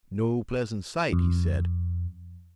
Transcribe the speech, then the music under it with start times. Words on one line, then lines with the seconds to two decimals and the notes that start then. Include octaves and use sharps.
"No pleasant sight," he said.
1.13 F2